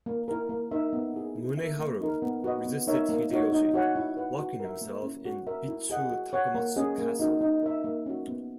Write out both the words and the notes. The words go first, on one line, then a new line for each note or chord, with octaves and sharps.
Muneharu resisted Hideyoshi, locking himself in Bitchu Takamatsu Castle.
A#3
E4 A#4
A#3
D#4 A#4 E5
B3
E4 G#4
E4
A#4 E5
A#3
D#4 A#4
B3
F#4 B4 D#5
B3
D#4 A#4 C#5 E5
A#3
D#4 F#4 C#5
D#4
F#4 C#5 F#5
E4
B4 F#5
F#4
A#4 E5
A#3
C#4 E4
F#4
A#4 E5
E4
G#4 D#5 F#5
F#4
C#5 F#5
A#3
C#4 G#4 D#5
A#3
D#4 F#4
D#4
A#4 E5
A#3
C#4 F#4
B3